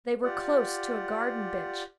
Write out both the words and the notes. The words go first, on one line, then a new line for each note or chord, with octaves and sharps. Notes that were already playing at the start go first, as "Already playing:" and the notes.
They were close to a garden-bench.
F4 G4 D5 F#5